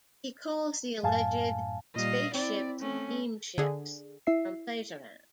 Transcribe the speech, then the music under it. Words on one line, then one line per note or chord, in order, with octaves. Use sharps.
He calls the alleged spaceships "beamships" from Plejaren.
F#2 A2 F5 G#5 A5
A#2 G3 D#5 F5
C4 E4 D5
A3 C#4
D3 G#4
E4 E5 C7